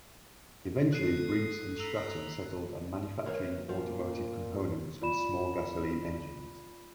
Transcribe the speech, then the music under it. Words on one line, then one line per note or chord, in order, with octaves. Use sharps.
Eventually Briggs and Stratton settled on manufacturing automotive components and small gasoline engines.
A4 D#6 F#6 C7
A#5 B5 E6 F7
E3 A#3 C#5
A#2 F3
F4 D5 B5 E7